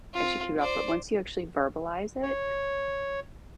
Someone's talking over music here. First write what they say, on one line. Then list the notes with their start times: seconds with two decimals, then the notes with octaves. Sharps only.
I should keep it up, but once you actually verbalize it,
0.14 C4 F4
0.59 C5 D5
2.23 C#5